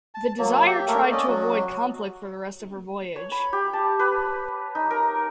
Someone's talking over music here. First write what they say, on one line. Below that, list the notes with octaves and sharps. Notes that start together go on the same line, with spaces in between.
The "Desire" tried to avoid conflict for the rest of her voyage.
A5
F#3 A#3
G4 E5 G5
A3 A#3 A#4 E5
C#4 D5 D#5
F#3 F#4
C#5
B5
G4
A5
B4
D#4
A#4